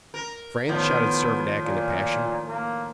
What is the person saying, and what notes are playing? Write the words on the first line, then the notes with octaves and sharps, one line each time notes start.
"France!" shouted Servadac in a passion.
A#4
A2 D#3 F3 B3
A#2
A#3